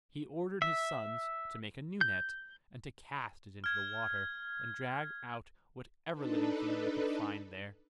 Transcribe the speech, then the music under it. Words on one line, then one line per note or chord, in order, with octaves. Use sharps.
He ordered his sons to make a new net, and to cast it into the water, and drag out whatever living thing they could find there.
E5
G6
F6 G#6
D4 D#4 A4 B4